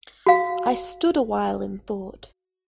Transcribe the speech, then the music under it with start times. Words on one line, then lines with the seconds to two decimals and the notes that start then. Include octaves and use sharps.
I stood awhile in thought.
0.26 F#4 F5